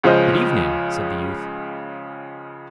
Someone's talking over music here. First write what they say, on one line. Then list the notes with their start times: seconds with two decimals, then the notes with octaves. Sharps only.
'Good evening!' said the youth.
0.03 C#2 C#3 F3 C5 D#5